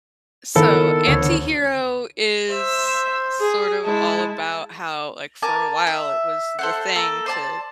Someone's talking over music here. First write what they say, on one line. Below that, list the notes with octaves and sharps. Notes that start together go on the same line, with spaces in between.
So "Anti-Hero" is i sort of, all about how, like, for a while it was the thing to
D#3 B3 E4 A4 A#4
D2 D3 C#5
C5 E5
G#4
G#3 E4 A5
A#4 G#5 A5 D6
E5
A4 C5 F#5
A#3 A4
C5 D5 A5